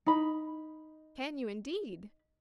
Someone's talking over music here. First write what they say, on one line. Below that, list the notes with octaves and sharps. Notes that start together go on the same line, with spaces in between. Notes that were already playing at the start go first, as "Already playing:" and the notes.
"Can you, indeed!"
D#4 B5